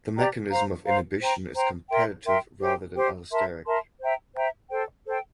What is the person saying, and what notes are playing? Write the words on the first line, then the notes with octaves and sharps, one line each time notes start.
The mechanism of inhibition is competitive rather than allosteric.
G4 D5 G5 A#5
C5 F5 A#5
C5 F5 A#5
C5 G5 A#5
C5 G5 A#5
A#4 E5 G5 C6
A#4 E5 G5 C6
G4 C5 G5
G4 C5 G5
A#4 E5 A5 C6
A#4 E5 A5 C6
C5 E5 G5 A#5
C5 E5 G5 A#5
A4 C5 G5
A4 C5 G5